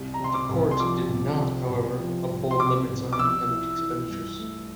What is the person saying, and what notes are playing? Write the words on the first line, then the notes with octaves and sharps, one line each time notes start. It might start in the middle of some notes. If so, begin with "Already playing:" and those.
The Court did not, however, uphold limits on independent expenditures.
Already playing: C2
A#5
C3 C6
D6
C2
C6
F3 D6
C2
C3
C2
F3
C2
C6
C3 D6
C2
D6
F3 E6
E4
E3
G2
A3